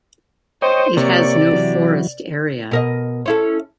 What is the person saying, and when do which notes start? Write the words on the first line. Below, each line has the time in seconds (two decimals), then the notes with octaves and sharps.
It has no forest area.
0.62 C5 C#5 D#5 G5
0.97 C3 A#3 C#5 D5
1.52 E3 F#3
2.71 B2 A#4 D#5
3.26 C#4 E4 A4